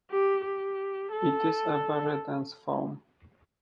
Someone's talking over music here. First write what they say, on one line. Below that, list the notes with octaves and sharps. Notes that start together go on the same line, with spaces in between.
It is a very dense foam.
G4
G4
A4